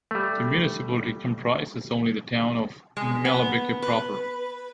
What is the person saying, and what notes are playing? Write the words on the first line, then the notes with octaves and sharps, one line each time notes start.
The municipality comprises only the town of Meulebeke proper.
G3 A3
G#3
B3
B4